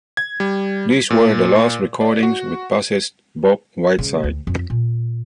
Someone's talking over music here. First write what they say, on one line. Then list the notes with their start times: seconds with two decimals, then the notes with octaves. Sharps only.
These were the last recordings with bassist Bob Whiteside.
0.17 G#6
0.40 G3
1.10 A#2
2.01 D5
2.23 F#4
3.98 C#3 G#3
4.24 D2
4.47 F2
4.70 A#2